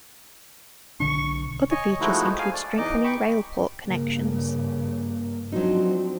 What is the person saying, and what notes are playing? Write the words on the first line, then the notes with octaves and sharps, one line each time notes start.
Other features include strengthening rail-port connections.
B1 D3 D4 C#6
C#5 D#5 G#5 C#6
F3 G#3 A3 D#4 E4 F#4
F5 G#5
D5
E2 E3 D#4 D#5 D6
G5 B5 C#6 D6
G2 C#3 A#3
F3 F#3 C4 D4 D#4 F#4